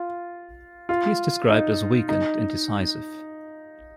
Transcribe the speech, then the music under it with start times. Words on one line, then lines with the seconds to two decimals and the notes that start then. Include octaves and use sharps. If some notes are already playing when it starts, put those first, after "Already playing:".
He is described as weak and indecisive.
Already playing: F4
0.89 F4
1.49 D#4
2.09 D#4